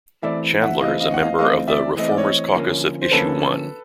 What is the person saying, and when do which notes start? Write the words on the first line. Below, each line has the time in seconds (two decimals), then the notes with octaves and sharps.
Chandler is a member of the ReFormers Caucus of Issue One.
0.23 E3 A3 C4 D5 E5
0.62 E5 F#5
0.81 E3 A3 C4 D#5 F5
1.00 D#5 F5
1.14 F#5
1.20 D#5 F5
1.39 E3 A3 C4 D#5 F5
1.68 D5 E5
1.96 E3 A3 C4 D#5
2.08 D5
2.18 C#5 D#5
2.54 D3 F3 A#3 C#4
3.02 C5
3.11 D3 F3 A#3 C#4 A4 B4